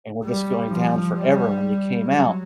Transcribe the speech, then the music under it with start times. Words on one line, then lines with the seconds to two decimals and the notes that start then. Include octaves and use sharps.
and were just going down forever, and when you came out,
0.24 G3
0.69 F3
1.13 G3
2.01 F#3